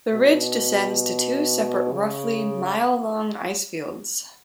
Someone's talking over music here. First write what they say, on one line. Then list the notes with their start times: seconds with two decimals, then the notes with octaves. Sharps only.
The ridge descends to two separate roughly mile-long icefields.
0.14 B2
1.92 C#3